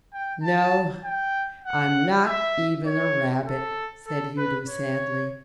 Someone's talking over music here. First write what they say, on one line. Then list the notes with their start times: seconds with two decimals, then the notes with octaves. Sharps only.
"No, I'm not even a rabbit," said Udo sadly.
0.13 G5
0.43 A5
1.04 G5
1.64 F#5
2.25 E5
2.85 C#5
3.46 A4
4.07 A4
4.37 B4
4.67 C#5